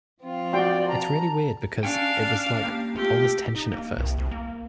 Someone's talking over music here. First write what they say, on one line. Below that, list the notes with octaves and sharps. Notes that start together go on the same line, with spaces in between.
It's really weird because it was like all this tension at first.
F3 C4 F4
F#4 D5 G5 C6
A5 A#5
C#4 D4 C#5 F5 G5
A#3 G4
A3 C4 F4 G4
D#4
A#3
C2
C2
A#3